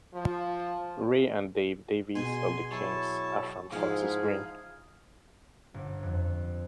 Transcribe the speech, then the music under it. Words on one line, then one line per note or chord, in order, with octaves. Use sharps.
Ray and Dave Davies of the Kinks are from Fortis Green.
F3
B2 G#4 G#5 C6
F#3 E4 A5 C#6
G#2 F3 E4 G#4 F5
G1
F2